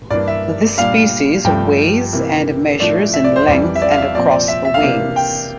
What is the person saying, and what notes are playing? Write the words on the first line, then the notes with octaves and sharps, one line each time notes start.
This species weighs and measures in length and across the wings.
G2 E3 A#3 D4 D5
E5
A#2 G3 D4 F5
G2 F3 A3 G5
C3 E3 A#3
A2 F3 A3 D4 D5
E5
D5
C5
F2 E3 G3 D5
E5
D5
F5
E5
A#2 F3 C4 D5
D5
E5
E5
F5
C3 E3 A#3 D4
G5